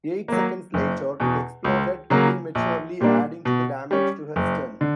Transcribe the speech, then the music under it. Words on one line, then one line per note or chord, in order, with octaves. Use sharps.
Eight seconds later, it exploded prematurely, adding to the damage to her stern.
F#3 A#3
F#1
E2 B2
C#2
C#3 F#3 A#3
A#1
A#2 G3 A#3 D4
B2
G3 C#4
F#1
D3